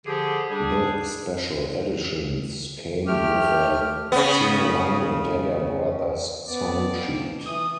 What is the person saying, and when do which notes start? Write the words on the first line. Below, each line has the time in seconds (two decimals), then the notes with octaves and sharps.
The special editions came with a 'Singalong a Dagger Brothers' song sheet.
0.06 D3 F3 G4 G#4
0.50 G3 D4 G#4
3.07 A3 G4 F6
4.12 C#3 B3
6.49 B3 D5
6.97 F2
7.46 E3 D#6